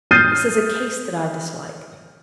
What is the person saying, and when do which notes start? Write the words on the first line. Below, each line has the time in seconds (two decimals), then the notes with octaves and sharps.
This is a case that I dislike.
0.11 D#6 F6 G6 A6 C7 D#7